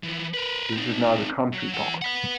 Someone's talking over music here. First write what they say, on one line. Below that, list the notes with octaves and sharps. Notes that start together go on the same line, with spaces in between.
This is now the Country Park.
E3 F3
A#4 B4
C4 D#4
F#3
E3 F#5
B4 F#5